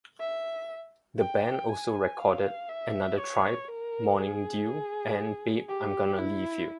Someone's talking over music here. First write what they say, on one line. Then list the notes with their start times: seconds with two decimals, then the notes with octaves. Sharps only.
The band also recorded "Another Tribe", "Morning Dew", and "Babe I'm Gonna Leave You".
0.20 E5
1.19 G5
1.69 G#5
2.19 F5
2.69 E5
3.18 C#5
3.68 A#4
4.19 G#4
5.68 G4
6.18 E4